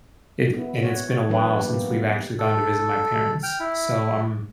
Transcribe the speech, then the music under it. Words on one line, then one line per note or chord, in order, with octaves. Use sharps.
it d and it's been a while since we've actually gone to visit my parents. So, I'm,
B3 E4
F#4 C#5
E3 F#3 D4 B4
A#3 G4
B3
G3
A4
G5 F6
E4